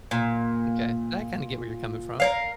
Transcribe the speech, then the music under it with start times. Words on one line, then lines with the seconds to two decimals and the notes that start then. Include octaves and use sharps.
M'kay, I kinda get where you're coming from.
0.11 A#2
2.20 A#4 C#5 F5